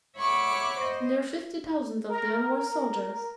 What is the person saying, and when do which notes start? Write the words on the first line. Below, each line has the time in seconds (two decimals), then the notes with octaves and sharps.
Near fifty thousand of them were soldiers.
0.16 C#5 E5 F#5 B5 C#6 D6
0.81 C5 D#5
2.09 A#4